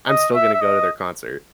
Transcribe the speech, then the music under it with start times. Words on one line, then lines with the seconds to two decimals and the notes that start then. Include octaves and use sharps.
I'm still gonna go to their concert."
0.09 D#5
0.35 E5
0.54 E5
0.61 D#5